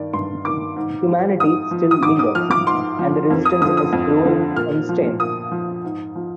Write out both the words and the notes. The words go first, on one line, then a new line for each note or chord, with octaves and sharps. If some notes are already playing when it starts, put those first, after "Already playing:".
Humanity still lingers, and the Resistance is growing in strength.
Already playing: G2 D#3 D5
G2 C6
D#3 D6
G#2
F3
G#2 D#6
F3
D#6
G#2 D6
D#6
F3 F6
D6
G#2 C6
F3
F2
D#6
D3 F3 D#6
D#6
F2
D3 F3
A#2 F6
F3
A#2 D#6
F3
G#2
F3